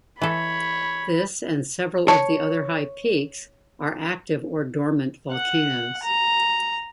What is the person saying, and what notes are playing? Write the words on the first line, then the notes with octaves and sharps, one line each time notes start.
This, and several of the other high peaks, are active or dormant volcanoes.
E3 A4 C#5 B5
C#5 A5
F#5
A#5